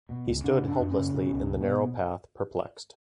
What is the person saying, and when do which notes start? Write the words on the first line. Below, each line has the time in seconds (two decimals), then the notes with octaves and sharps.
He stood helplessly in the narrow path, perplexed.
0.09 B2
0.26 C#2
0.44 C#3 D4
0.61 F#2
0.68 D4
0.79 F#2
0.90 C#4
0.97 C#3
1.14 B2 C#4
1.31 C#2
1.49 B2
1.61 B3
1.66 B2